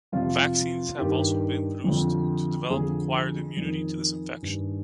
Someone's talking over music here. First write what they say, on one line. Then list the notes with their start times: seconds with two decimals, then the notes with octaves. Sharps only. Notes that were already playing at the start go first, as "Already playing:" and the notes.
Vaccines have also been produced to develop acquired immunity to this infection.
0.12 F2 C3 F3 F4
0.98 G2 D#3 G4
1.84 F2 D3 F3
2.70 F2 D3 F3 G#4
3.56 F2 D#3
4.42 G2 D#3